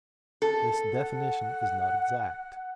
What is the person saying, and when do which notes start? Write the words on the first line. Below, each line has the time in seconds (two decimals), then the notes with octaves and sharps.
'This definition is not exact.
0.42 A4
0.94 F#5